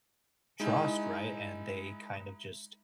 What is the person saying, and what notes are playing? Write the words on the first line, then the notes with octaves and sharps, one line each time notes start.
trust, right, and they kind of just
G#3 D#4 E4